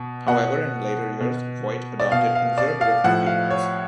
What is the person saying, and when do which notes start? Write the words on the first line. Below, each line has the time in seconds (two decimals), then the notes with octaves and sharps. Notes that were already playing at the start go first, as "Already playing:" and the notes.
However, in later years, Voight adopted conservative viewpoints.
Already playing: B2
0.28 B2 F#5
1.20 B2
2.00 D5
2.12 B2 F5
2.35 F5
2.58 D5
2.81 F5
3.04 A2 F3 F#5
3.26 F5
3.50 C#5